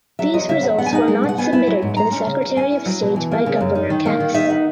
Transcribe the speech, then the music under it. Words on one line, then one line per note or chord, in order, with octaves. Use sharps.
These results were not submitted to the secretary of state by Governor Cass.
F#3 E5
E2 D#5
C#3 E5
E2 F#5
B3 F#5
G#5
D#4 F#5
G#3
B2
F#5
B3 G#5
E4
F#3
G#2
G#3 A#5
C#4
C#3
E2
C#4 G#5
E4
F#3
B2
E3
A#3
C#3
F#2
D#4
D#3
A#3
D#3
D#4 E5
D#3 F#5